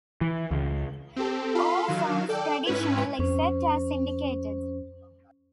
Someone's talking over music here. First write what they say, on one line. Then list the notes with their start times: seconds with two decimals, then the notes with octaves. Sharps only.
All songs traditional except as indicated.
0.21 E3
0.51 C#2
1.16 C4 G4 A4
1.55 F4 A4 F5 B5 C6
1.86 D#3 F#3 F5 E7
2.29 A4 D5 G5
2.65 G#2 C#4 E4 B4 G#6
3.19 F2 C#4 C5